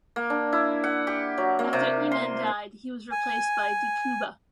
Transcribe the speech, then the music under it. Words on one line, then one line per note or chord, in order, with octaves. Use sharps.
After Eman died he was replaced by De Cuba.
A#3
D4
E4
F#5
G4
F#3
A#3
C3
C6
G#5